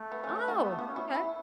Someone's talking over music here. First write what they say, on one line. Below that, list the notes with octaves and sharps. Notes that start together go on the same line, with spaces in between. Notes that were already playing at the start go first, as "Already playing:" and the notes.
Oh, okay.
Already playing: A3
B3
C#4
D4
F#4
B3 G4
A3
B3 F#4
C#4
E4
E4